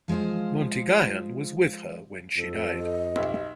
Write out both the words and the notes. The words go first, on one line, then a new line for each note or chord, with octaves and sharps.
Montguyon was with her when she died.
F3 G#3 F4 C5
F2 A4
D#5
B1 G4 E5